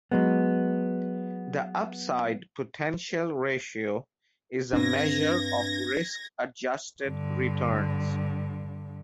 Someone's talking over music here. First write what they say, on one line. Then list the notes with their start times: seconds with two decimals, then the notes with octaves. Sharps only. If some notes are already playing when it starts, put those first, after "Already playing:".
The Upside-Potential Ratio is a measure of risk-adjusted returns.
0.12 F#3 G#3 B3
4.73 G2 C4 D4 G#6 A#6
7.03 G2 D3